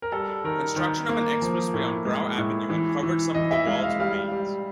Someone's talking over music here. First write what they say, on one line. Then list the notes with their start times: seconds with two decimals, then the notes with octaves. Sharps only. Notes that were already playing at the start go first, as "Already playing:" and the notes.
Construction of an expressway on Grau Avenue uncovered some of the wall's remains.
0.02 A#4
0.12 G3 A4
0.44 D#3 A#4
0.76 D#3 B4
1.09 A#3
1.42 F3
1.74 A2
2.05 G#3
2.38 A2
2.70 E3
3.03 E3
3.34 E3 D#5
3.51 E5
3.66 G#3 F5
3.83 F5
3.99 G3 F5
4.32 G3